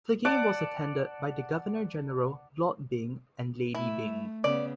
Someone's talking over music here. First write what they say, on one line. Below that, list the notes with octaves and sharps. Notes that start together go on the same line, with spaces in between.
The game was attended by the Governor General Lord Byng and Lady Byng.
D5 F#5 A5 D6
A3 E4
C#3 B3 D5